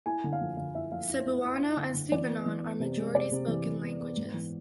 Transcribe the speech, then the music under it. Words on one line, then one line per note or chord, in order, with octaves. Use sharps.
Cebuano and Subanon are majority spoken languages.
E4 G#5
D3
F5
F3
D3 F5
E4 E5
F3 F5
E4
E4
E4
E4
D3
D3
E3 D5
B3
E3
B3
C3
G#3
C3 D5
C3
E3
E3
B3
B3
G#2
E3